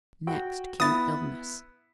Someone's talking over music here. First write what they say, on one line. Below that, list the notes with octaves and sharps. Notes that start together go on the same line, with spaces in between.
Next came illness.
F#4 G5
B3 E4 D#6 A6